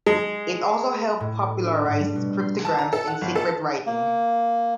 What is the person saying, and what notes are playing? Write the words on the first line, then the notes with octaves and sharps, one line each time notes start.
It also helped popularize cryptograms and secret writing.
G#3
A2
D4
G#2
G3
B2
C6
A5
A#5
A4
F#5
G1
A4
A#3